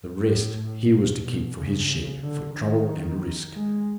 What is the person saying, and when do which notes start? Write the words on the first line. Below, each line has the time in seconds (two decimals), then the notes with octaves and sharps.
The rest he was to keep for his share, for trouble and risk.
0.21 A2
0.87 B2
1.22 B2
1.55 C#3
2.22 D3
2.55 D#3
3.55 G#3